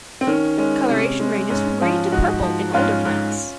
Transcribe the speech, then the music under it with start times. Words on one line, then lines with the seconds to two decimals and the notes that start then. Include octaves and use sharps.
Colouration ranges from green to purple in older plants.
0.21 C4
0.27 D#3 C#4
0.58 G#3 C#4
0.89 C3 C#4
1.20 G#3
1.50 G#2 C#4
1.82 F3 C#4 F4
2.12 G#2 D#4 F#4
2.43 F3
2.73 G#2 C#4 F4
3.05 G#2